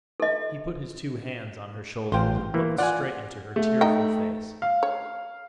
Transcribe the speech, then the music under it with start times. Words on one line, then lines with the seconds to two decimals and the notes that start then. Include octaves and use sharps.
He put his two hands on her shoulders and looked straight into her tearful face.
0.20 A4 D#5
2.12 A1 F4 C5 G5
2.54 E3 A#3
2.78 F4 D5 F#5 G#5
3.56 A3
3.81 D#4 D#5 G5
4.62 F5
4.83 C#5